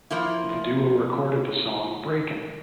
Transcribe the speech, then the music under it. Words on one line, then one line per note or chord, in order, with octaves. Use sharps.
The duo recorded the song Breakin'...
F3 A#3 E4